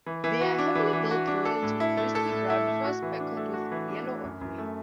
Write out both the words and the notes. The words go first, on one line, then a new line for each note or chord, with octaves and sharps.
They are heavily built rodents, with bristly brown fur speckled with yellow or grey.
E3
E3
F#4
D4
E3
E3
F#4
D4
A4
A2
E4
A3
A4
A2
E4
A3
F#4
E3
D4
A3
F#4
E3
D4
A3
F#2
F#2
A3